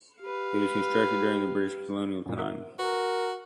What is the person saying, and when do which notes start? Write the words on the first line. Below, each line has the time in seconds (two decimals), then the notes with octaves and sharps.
It was constructed during the British colonial time.
0.22 G4 B4 F5
2.26 F#2 A#2
2.38 A#4 E5 F#5
2.79 F#4 A#4 B4